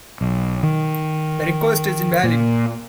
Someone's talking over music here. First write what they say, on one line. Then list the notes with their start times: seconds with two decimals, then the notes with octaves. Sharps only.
The request is invalid.
0.21 B1
0.63 D#3
2.23 A#2